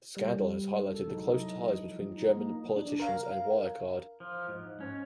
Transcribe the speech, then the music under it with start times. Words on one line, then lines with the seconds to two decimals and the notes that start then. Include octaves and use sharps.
The scandal has highlighted the close ties between German politicians and Wirecard.
0.17 G3
0.92 A4
1.08 F#3 G#3 D#4
1.27 E4 D#5
1.73 F3
2.12 D#4
2.34 A#3 D#4
2.76 D4
3.00 A#4 F5
4.20 F3
4.48 G#2
4.80 C#4